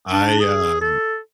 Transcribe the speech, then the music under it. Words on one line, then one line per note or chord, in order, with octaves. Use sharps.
I, um
D4
G#4
A4